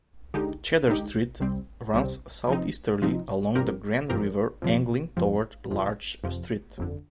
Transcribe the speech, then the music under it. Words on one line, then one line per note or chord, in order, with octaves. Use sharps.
Cedar Street runs southeasterly along the Grand River angling toward Larch Street.
D3 G#3 D#4 G4
D3 G#3 D#4 G4
C2 C3 G3 C4
C2 C3 G3 C4
C3 F3 C4 D#4
C3 F3 C4 D#4
G2 F3 C4 G4 A#4
G2 F3 C4 G4 A#4
F2 C3 F3
F2 C3 F3
F2 C3 F3
F2 C3 F3
G1 F2 D3